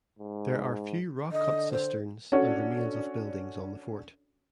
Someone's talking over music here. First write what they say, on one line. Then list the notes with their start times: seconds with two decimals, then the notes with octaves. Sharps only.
There are few rock cut cisterns and remains of buildings on the fort.
0.19 G#2
1.32 D3 D#5
1.72 C5
2.32 C#4 D4 F#4 A4 C#5 D5